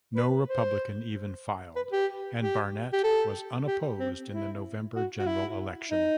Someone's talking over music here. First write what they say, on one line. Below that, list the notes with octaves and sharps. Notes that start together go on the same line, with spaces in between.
No Republican even filed, and Barnett was unopposed in the November general election.
B4
C5
B4
G4
G4
G4
A4
G4
C4
E4
F#4
F#4
E4
D#4